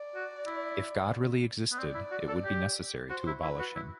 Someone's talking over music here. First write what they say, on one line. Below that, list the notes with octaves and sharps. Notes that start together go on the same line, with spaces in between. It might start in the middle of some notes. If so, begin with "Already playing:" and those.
If God really existed, it would be necessary to abolish him.
Already playing: D5
F#4
E4
B3
C4 D5
E4
F#4
A4
G4
F#4 C5
E4
E4 B4
F#4
E4